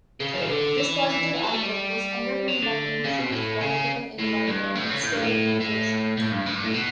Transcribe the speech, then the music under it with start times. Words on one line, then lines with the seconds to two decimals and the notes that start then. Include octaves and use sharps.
This positive outlook was underpinned by an improved political environment and stable inflation.
0.20 C#3
0.34 F#3
0.41 E3
0.49 D3
0.78 E3
1.34 E3
1.43 F#3
1.53 A3
1.62 G3
2.48 F#3
2.62 D3
3.04 C#3
3.19 B2
3.32 A2
3.61 C#3
4.19 A2
4.47 G2
4.75 A2
4.90 C#3
5.03 A2
5.12 G2
5.22 A2
5.60 A2
6.17 A2
6.32 G2
6.46 A2
6.55 G2
6.64 A2
6.74 B2